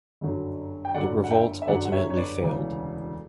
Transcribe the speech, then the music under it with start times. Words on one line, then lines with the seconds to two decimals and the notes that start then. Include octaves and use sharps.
The revolt ultimately failed.
0.21 G1 F#2 D3 F#3
0.85 G5
0.94 G1 F#2 D3 F#3 D5 F#5
1.24 F#5
1.31 E5 G5
1.62 E5
1.68 G1 F#2 D3 F#3 D5 F#5
1.85 F#5
1.92 C#5 E5
2.10 C#5
2.17 B4 D5
2.42 E1 D2 C#3 E3